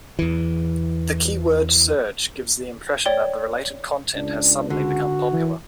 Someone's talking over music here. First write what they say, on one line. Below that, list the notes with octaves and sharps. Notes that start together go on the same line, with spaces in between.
The keyword surge gives the impression that the related content has suddenly become popular.
E2 E3
C#5 D5 G5 G7
C#2 D4
D3 F#4
E3